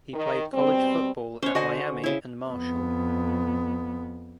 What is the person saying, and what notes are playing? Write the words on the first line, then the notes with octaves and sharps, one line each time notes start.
He played college football at Miami and Marshall.
D#3
B2 G3 C4
C#4 C5 C#5
D3 F#4 D#5 G#5
C#3 E4
F2 B3